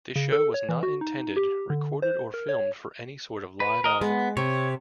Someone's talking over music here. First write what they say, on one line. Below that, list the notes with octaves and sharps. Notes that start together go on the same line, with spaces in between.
This show was not intended, recorded or filmed for any sort of live album.
C#3
A4
C#5
E3
F#4
D#4
G4
D3
C5
A#4
C#5
B4
A#4 D#5
G#3 B3
C3 C#5